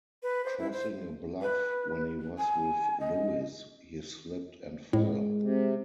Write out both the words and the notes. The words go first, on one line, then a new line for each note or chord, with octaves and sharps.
Crossing a bluff when he was with Lewis, he slipped and fell.
B4
C5
E4
C5
B4
G#5
D#5
A2 G#3
C3